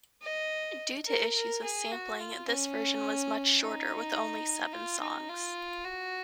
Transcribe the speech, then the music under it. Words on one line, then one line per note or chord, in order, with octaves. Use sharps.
Due to issues with sampling, this version was much shorter with only seven songs.
D#5
A#4
A#4
G#4
F#4
F4
C#4
D#4
F4
D#4
F4
F#4